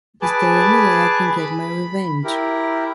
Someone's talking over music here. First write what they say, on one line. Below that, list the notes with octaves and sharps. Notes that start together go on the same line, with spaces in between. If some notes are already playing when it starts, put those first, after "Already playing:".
Is there any way i can get my revenge?
G#4 B4 G#5 A5 D6
B5
E4 G4 A#4